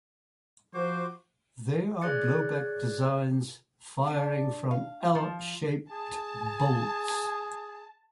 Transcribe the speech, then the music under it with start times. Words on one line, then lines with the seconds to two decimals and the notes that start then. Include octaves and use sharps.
They are blowback designs firing from "L"-shaped bolts.
0.74 F3 F#4 C5 D6
2.02 G#4 C#5 D5 F#6 A6 C#7
4.07 D4
4.71 F5
5.15 F3
5.91 G#4 A5